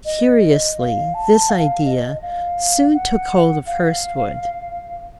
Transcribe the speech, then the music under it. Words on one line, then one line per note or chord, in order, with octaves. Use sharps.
Curiously this idea soon took hold of Hurstwood.
D#5
F5
A5
F5
D#5
F5
F#5
F5